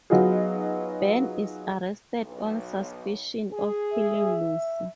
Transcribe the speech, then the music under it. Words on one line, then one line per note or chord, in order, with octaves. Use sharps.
Ben is arrested on suspicion of killing Lucy.
F#3 B3 D#4 F4 F#4 G#4
B1
G#4
E5